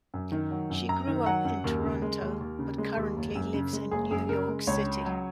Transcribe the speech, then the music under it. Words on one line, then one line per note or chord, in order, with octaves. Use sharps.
She grew up in Toronto but currently lives in New York City.
F#2
D#3
F#3
F#2
F#2 A#5
D#3
F#3 F#5
F#2
D#2 A#4
C#3
G#3
D#2
D#2
C#3
G#3
D#2
F#1
F#2
C#3
G#3
F#1 G#4
F#2 G#4
C#3 A#4
G#3
C#2 C#5
C#3
F#3